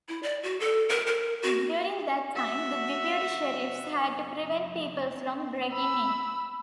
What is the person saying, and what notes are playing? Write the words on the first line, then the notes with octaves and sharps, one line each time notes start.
During that time, the deputy sheriffs had to prevent people from breaking in.
E4
D5
F#4
A4
A#4
A#4
F#4
F#4 E5
B5 E6